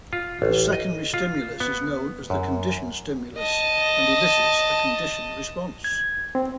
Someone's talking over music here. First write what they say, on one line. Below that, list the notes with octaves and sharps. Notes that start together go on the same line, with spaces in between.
The secondary stimulus is known as the conditioned stimulus and elicits a conditioned response.
F4
A1
D#5
F4
B3
F#2
D#5 A5
G#6
C4